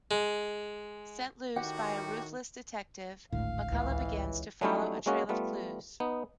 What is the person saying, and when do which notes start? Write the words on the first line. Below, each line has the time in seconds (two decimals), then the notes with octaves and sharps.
Set loose by a ruthless detective, McCullough begins to follow a trail of clues.
0.11 G#3
1.56 A2 D#3 F#4 G4 F#5
3.32 G#1 D2 A2 F5
3.72 C#2 E3
4.61 F#3 G3 A3 C#4 D#4 E4
5.06 G#3 A#3 C#4 F#4 G#4
5.29 G3 A3 B3 F4
6.00 B3 D#4